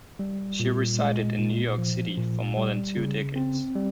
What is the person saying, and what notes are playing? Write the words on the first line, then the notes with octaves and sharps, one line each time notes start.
She resided in New York City for more than two decades.
G3
A#2
G#3
A#2
F3
A#2
G3
C#3
C4
G3